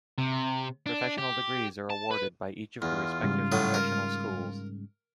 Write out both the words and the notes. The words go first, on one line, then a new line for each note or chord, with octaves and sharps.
Professional degrees are awarded by each of the respective professional schools.
C3
D4
G4
A5
B4
E2 F4
G#2 C#3 G3
A2 F#3 D#6
A#4